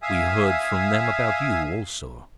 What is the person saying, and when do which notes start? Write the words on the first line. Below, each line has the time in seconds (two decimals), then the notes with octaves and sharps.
We heard from them about you also.
0.03 E5 F5 G#5 D#6